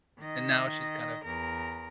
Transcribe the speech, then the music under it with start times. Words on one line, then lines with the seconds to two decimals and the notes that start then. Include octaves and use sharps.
and now she's kind of
0.19 D#3 D#5
1.24 E2 A#4